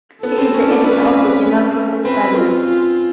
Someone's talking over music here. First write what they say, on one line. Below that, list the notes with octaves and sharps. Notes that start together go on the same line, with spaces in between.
He is the Editor of the journal "Process Studies".
B3 A4
C4
C#4
D4
D4 B4
C#4
C4
C#4
C4 B4
F4
F4